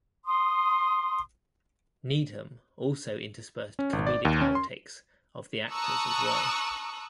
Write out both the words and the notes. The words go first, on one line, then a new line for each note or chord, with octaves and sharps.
Needham also interspersed comedic outtakes of the actors as well.
C6 D#6
C#4
G#1
D5
D#2
C#4
C6
A5 A#5 C#6 D#6 E6 F#6